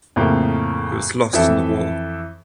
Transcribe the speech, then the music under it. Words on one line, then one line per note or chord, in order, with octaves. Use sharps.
It was lost in the war.
F2 A2 C#3 A3 A#3
F2 E3 A4 E5